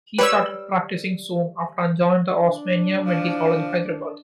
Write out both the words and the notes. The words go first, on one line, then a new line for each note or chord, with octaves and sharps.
He started practising soon after and joined the "Osmania Medical College," Hyderabad.
G3 B4 C#5 E6
D4
F3